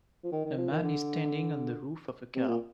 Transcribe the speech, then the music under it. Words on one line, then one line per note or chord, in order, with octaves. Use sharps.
A man is standing on the roof of a car.
F3
D#3
D#3
F3
D#3
D3
C3
A#2